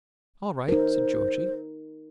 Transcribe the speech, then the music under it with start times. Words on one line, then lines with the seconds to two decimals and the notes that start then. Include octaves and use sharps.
"All right," said Georgie.
0.69 D#4 A#4 C5